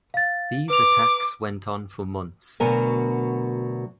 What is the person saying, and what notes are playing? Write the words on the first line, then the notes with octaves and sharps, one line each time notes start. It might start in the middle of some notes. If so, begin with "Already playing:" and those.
These attacks went on for months.
F5 A6
B4 D6 F7
D2 B2 F#3 A#4 G#5